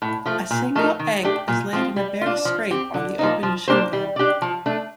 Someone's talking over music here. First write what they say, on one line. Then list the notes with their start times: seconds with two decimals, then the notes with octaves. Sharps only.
A single egg is laid in a bare scrape on the open shingle.
0.02 A2
0.26 F3 A3
0.51 A#2
0.75 F3 A3 D#4 A#4
0.99 D#3
1.23 A3 D4 G4
1.48 A#2
1.73 F3 C4 F4
1.96 G3
2.21 D4 F4
2.45 F3
2.71 C4 G4
2.94 D3
3.19 F3 A#3 D#4
3.43 F3
3.68 A#3 D4 G4 C5
3.93 G3
4.16 D4 G4 D5
4.42 F3
4.66 A3 D4